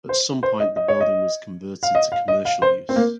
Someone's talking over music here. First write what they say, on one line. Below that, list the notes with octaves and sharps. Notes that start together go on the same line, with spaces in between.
At some point the building was converted to commercial use.
C5
C5
D#5
D#5
C#5
D#5
F5
D#5
F5
D#5
F5
C5
C4
A#3